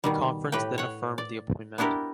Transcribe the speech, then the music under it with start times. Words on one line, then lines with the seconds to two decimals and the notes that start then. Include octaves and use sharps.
The conference then affirmed the appointment.
0.04 B2 D#3 G3
0.52 A2 G4 B4 G5
0.78 C#5 F#5
1.18 D5
1.78 B3 D4 E4 G4 A#4